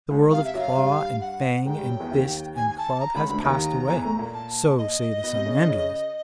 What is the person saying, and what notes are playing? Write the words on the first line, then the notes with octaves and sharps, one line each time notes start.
The world of claw and fang and fist and club has passed away--so say the somnambulists.
C#2 C#3
C3 F5
E5
F#2 F#3 F5
G2 G3
F#5
G#2 G#3 G5
G2 G3
F#2 F#3
E2 E3
D#2 D#3
G#5
G#5
A5
A#5
C#2 C#3 B5
D2 D3 B5
D#2 D#3 A#5
E2 E3
A2 A3
A#2 A#3
A5
D#5
B2 B3
C3 C4
C#3 C#4
D3 D4
C#3 C#4